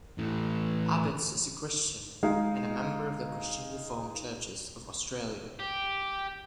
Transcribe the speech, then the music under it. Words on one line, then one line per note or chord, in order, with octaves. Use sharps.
Abetz is a Christian and a member of the Christian Reformed Churches of Australia.
A2 E3
G#3 D#4 F5
G4